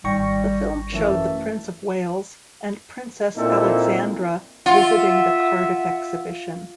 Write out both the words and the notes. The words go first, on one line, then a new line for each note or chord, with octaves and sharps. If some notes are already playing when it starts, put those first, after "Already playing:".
The film showed the Prince of Wales and Princess Alexandra visiting the Cardiff Exhibition.
G#1 G3 G5 C#6 A#6
F#2 E3 A3
A#2 A#3 C4 D#4 E4 A4
F4 E5 F#5